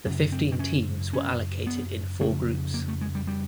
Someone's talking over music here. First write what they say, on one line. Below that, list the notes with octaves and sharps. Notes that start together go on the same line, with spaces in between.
The fifteen teams were allocated in four groups.
F#2 C#3 C#4
C4
C4
C#4
C#4
B3
F2 C#3 A3
A#3
A3
G#3
G3
G3